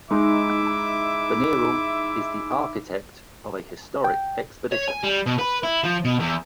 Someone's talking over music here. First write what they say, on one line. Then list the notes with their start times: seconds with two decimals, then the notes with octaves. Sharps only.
Benirall is the architect of a historic expedition.
0.11 G#3 D#4 E4 E5 D6
4.04 G5
4.72 C#5
4.88 G#5
5.03 G3
5.26 B2
5.38 B4
5.63 E4
5.84 F3
6.05 B2
6.20 E2